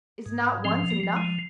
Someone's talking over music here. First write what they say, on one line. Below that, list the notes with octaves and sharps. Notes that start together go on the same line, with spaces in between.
Is not once enough?
G#2
F3 C4
A#3
F3
G#3